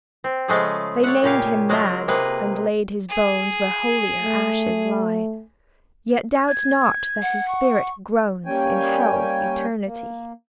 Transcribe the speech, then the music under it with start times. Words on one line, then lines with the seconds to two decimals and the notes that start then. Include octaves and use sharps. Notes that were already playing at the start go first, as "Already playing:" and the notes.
They named him mad, and laid his bones Where holier ashes lie; Yet doubt not that his spirit groans In hell's eternity.
0.24 C4
0.48 C#3 F3 G#3 A3 G#4
1.03 C#5 D5 E5 F#5
1.23 A#2 C#3 G4 F5 G#5
1.69 F#3 G#3 F4 G#4 A#4
2.08 C3 A#3 G#4 B4 D#5
3.09 G#4
4.21 A3
6.48 G#6
7.22 F#5
7.48 C#6
8.46 G3 A#3 C#4 C#5 G5 G#5
9.85 A#3